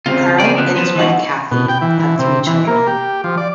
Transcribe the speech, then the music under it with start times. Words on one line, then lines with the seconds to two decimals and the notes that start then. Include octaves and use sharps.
Karl and his wife Kathi have three children.
0.06 C#3 C4 F4
0.40 G#4 D5
0.57 F3 B3
0.76 F3 B3
0.95 E3 D#4 F#4
1.51 B2
1.68 G5
1.81 E3
1.99 E3
2.19 C3
2.47 E3
2.67 A#3
2.87 G4
3.24 F3
3.37 D5